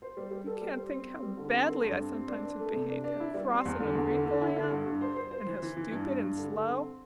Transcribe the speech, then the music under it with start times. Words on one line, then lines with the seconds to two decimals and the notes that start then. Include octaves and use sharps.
You can't think how badly I sometimes have behaved--how cross and ungrateful I am, and how stupid and slow.
0.02 C5
0.17 G3
0.31 G3
0.46 A4
0.61 G3
0.76 C5
0.92 C4
1.07 C4
1.22 G3
1.37 D3
1.52 C4
1.68 A4
1.83 G2
1.99 C4
2.13 C4
2.28 D4
2.43 D4
2.59 A3
2.73 C3
2.89 D4
3.04 D4
3.20 E4
3.34 G3
3.50 C4
3.65 E2
3.80 D3
3.95 E2
4.10 D3
4.26 D3
4.41 E4
4.56 D3
4.71 G2
4.86 G2
5.01 C5
5.16 C5
5.31 C5
5.47 E3
5.62 E3
5.77 E3
5.91 G2
6.08 G2
6.22 G2
6.37 D3
6.52 D3
6.68 C4